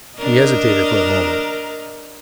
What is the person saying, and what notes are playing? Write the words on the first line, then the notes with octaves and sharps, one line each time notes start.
He hesitated for a moment.
D4 A#4 D#5